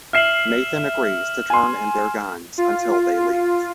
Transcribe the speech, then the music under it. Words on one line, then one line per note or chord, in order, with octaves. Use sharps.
Nathan agrees to turn in their guns until they leave.
E5 F6 C7 E7 F#7
G#5 C6
F4